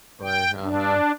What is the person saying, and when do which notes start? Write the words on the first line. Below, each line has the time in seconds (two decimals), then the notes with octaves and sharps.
Like, uh-huh.
0.23 G5
0.63 D4